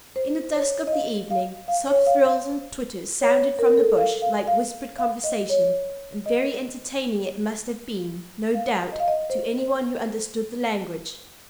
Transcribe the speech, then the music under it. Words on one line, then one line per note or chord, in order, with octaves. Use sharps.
In the dusk of the evening, soft thrills and twitters sounded from the bush, like whispered conversation; and very entertaining it must have been, no doubt, to any one who understood the language.
C5
C#5
D#5
F5
F5
F5
C#5
F5
F5
C#5
A#4
A4
F5
F5
F5
F5
D#5
C#5
D#5
F5
D#5
F5
D#5
C5
C5